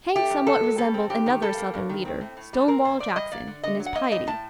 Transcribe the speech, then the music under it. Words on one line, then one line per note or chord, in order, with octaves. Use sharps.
Haig somewhat resembled another Southern leader, Stonewall Jackson, in his piety.
A3 G4
F#2
F#2 A4
F#3
G3 A4
C4
G2 G4
D#3
G3 A4
A#3
G2
D#3
C4
A2
A2
G3
C4 A#4
A#2 C5
A#2 D5
G3 D#5
A#3 D5
D3
D3 D#5
F#3
F#5
A#3 D#5
A2 D#5
A2 A5